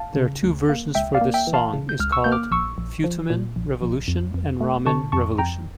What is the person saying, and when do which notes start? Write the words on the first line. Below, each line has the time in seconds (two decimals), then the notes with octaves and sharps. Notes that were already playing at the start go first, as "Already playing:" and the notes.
There are two version for this song is called Futomen Revolution and Ramen Revolution.
Already playing: F5 A5
0.17 C#3
0.43 D2
0.69 A#3
0.95 C#2 E5 G5
1.15 D5 F5
1.21 A#3
1.34 E5 G5
1.47 E3
1.54 F5 A5
1.73 C#3
1.89 G6
2.00 C#2 F6
2.12 C#6 E6
2.24 A#3 G6
2.32 D6 F6
2.51 A#1 C#6 E6
2.78 A#1
3.04 F3
3.30 A#2
3.56 A#1
3.82 A#1
4.08 F2
4.34 F2
4.61 A3
4.86 D3 A5 C#6
5.12 F2 A5 C#6
5.38 F2 G5 A#5